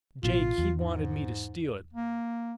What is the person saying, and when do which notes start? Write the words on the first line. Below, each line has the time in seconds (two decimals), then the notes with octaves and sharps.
Jake, he wanted me to steal it.
0.23 A1 B2 F4
0.58 E2
0.76 G#2
1.93 A#3